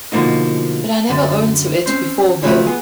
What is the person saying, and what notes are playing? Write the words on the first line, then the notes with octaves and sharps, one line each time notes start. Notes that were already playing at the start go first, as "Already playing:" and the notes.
But I never own to it before her.
B2 D3 F3 A#3 D#4
F#2 D3
C4 C#4 C5
C#3 F3 F#3 A3 B4
B3 G#4